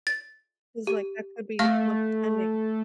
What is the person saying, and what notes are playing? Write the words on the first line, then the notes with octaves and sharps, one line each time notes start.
'Cause like that could be someone pretending.
A6
G4
A3 F5 F6 A#6